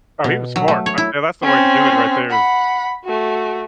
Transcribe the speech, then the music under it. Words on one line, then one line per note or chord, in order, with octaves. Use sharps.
Oh, he was smart, a and that's the way to do it, right there is
B2
F#3
A3
C#5
E4
C4 C#4
F#5 B5
A3 F#4